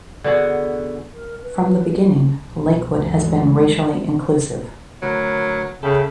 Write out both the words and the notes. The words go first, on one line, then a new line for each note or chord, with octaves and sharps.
From the beginning, Lakewood has been racially inclusive.
D3 B3 F#4 G#4
A#4
B4
B1
D2 G2 D3 E3 F#3 G#3
D2 F#3 A#4 B4
C#3 A4 E5 G5 B5